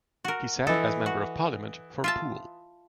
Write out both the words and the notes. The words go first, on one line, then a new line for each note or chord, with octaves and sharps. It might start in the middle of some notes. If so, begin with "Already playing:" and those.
He sat as Member of Parliament for Poole.
F#4 A#4
E3 A4 D#5
F#4
F4 E5 A5